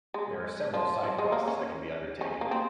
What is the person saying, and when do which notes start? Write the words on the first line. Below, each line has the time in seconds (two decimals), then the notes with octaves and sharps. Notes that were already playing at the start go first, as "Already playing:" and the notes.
There are several side quests that can be undertaken.
0.14 G#3
0.74 F3
1.03 F3
1.18 G#3
1.32 A#3
1.48 C#4
2.21 C#4
2.41 A#3
2.51 C4